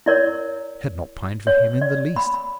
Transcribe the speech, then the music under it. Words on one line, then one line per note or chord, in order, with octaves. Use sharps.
I had not pined for him in the least.
E4 A#4 C#5 D5
C#5
D5
B5
B5